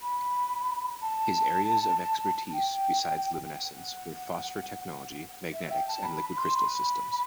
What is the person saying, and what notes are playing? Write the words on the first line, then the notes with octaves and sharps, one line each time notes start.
His areas of expertise, besides luminescence, were phosphor technology, magnetics and liquid crystal systems.
B5
A5
G5
G5
F#5
E5
G5
A5
B5
B5
C6
B5